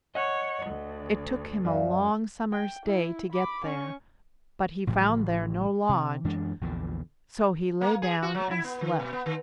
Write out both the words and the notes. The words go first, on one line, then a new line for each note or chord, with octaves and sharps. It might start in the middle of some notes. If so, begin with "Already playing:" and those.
It took him a long summer's day to get there, but he found there no lodge, so he lay down and slept.
C#5 D#5 F#5
D2
F#2 D5 E5 F5
G5
E4
B5 D6
C#4 C#6
A1 A2 C#3 F3
C3
F#2 E3 G#3 D4
A#1 E2 A#2 D3
A#3
G#4
F#4
F#3
E4
B3
D#3
B2
B3
D#3